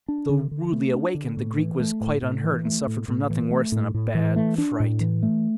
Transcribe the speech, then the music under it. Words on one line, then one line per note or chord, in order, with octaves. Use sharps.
Though, rudely awakened, the Greek was quite unhurt and suffered from nothing worse than a bad fright.
D4
D3
D3
A3
D4
D3
A2
E3
A3
A2
A2
E3
A3
A2
A2
E3
A3
A2
A2
E3
A3
D4
A2
E3
A3